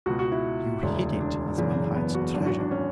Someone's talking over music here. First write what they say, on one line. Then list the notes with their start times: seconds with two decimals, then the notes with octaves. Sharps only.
You hid it as one hides treasure.
0.06 C#2 F#4
0.10 B2
0.19 F#4
0.32 E4
0.82 E1 D2 C#3
1.20 D4
1.58 F#1 E2 C#3
1.96 B3
2.15 F#4
2.34 G#1 F#2 E3 D4
2.46 F#4
2.59 D4
2.71 C#4